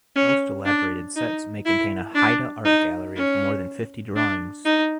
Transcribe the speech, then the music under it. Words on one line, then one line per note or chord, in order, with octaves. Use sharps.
Most elaborated sets may contain a Haida art gallery of more than fifty drawings.
C#4
D4
D#4
E4
D4
D#4
C#4
D4
D#4